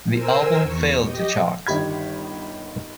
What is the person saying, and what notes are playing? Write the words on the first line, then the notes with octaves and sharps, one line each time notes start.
The album failed to chart.
A#4 C5 G#5 E6
E2 C#6
G4 D#5
G1 D#3 G3 B5 G#6